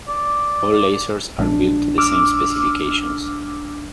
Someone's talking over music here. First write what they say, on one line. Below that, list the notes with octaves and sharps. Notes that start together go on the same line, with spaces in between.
All Lasers are built to the same specifications.
D5
A#1 G#3 D4
D6 E6 F6